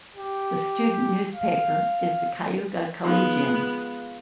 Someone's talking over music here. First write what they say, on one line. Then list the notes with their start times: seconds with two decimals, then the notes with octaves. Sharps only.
The student newspaper is the Cayuga Collegian.
0.16 G4
1.35 F5
3.04 F3 G#3 B3 D#4 F4